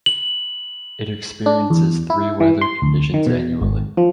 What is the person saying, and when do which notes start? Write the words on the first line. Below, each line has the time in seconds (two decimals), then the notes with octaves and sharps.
It experiences three weather conditions annually.
0.06 F#7
1.46 D4
1.70 E2
2.10 E4
2.40 E3
2.61 C6
2.82 D2
3.14 D#3
3.27 B2
3.61 G#1
3.97 F3